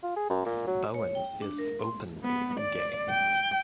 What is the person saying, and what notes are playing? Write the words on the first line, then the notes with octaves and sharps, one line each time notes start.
Bowens is openly gay.
F4
G#4
F#2
A#2
F#3
C#5
G5
D4
A#4
C6
B3
D5
G5